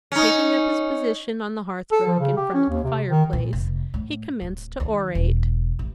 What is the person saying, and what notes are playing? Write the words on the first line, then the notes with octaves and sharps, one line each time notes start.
Taking up his position on the hearthrug in front of the fireplace, he commenced to orate.
C#4 D#4
A4
F3
C#3
G4
C#4
D#2
C3
D#3
A#2
F1
A2
D1
D#2
E1
A1